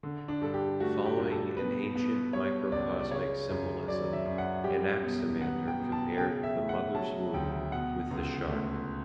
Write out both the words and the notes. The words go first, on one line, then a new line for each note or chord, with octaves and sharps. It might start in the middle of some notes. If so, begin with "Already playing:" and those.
Following an ancient microcosmic symbolism, Anaximander compared the mother's womb with the shark.
D3
D4
G2 A4
G4
A3 F#4
G4
G2
A4
B2 B4
B3
G3 C#5
C#2 D5
D5
C#3 C#5
F#2
F#3 D5
E5
F#2
F#5
G3 G4
B2
B3 F#5
G5
B2
A5
C#3 G5
E5
A3
F#5
F#3 A5
D2 G5
B2 F#5
C#2
A3